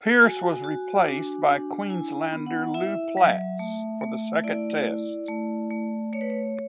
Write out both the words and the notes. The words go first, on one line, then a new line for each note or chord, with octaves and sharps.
Pierce was replaced by Queenslander Lew Platz for the second Test.
F#4 G#5
F#4
D4
D4
E4 G#5
B3
F#5
E4 E5
F#3
A3
A3
E4 D5
E4
A3
A3
A3 C#5
B4
C#5